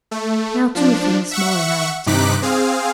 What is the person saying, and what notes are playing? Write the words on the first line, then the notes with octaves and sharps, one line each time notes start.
Now two things more, and I have done.
A3
F3 D4
E5 F#5 C#6
G2 C3 D#4 D6 F#6 B6
C4 G#4 F5